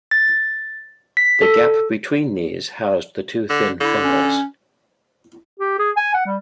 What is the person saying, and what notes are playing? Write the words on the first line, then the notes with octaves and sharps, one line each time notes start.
The gap between these housed the two thin funnels.
A6
B6
A4
D3
D3 E4
C#4
G4
G#4
G#5
F#5
G3